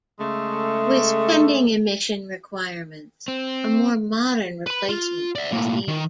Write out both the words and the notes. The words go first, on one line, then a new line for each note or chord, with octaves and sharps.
With pending emission requirements, a more modern replacement was needed.
C#3 G#3 A3
C4
B4 B5
F4
D5 E5
A2 A#3
D#3